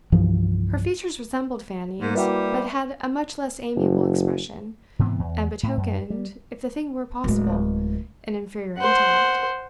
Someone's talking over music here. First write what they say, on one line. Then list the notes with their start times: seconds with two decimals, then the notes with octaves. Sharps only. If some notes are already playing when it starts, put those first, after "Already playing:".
Her features resembled Fanny's, but had a much less amiable expression, and betokened, if the thing were possible, an inferior intellect.
0.12 C2 G2 E3 F3
2.00 G#2 G3 A#3
2.15 G3 E4 F#4 B4 E5 G5
3.76 F#1
4.99 G#2 C3 E3 B3
5.19 E2
5.63 A2
5.77 F#2
6.10 G3
7.24 D1 G#3
8.78 C5 F#5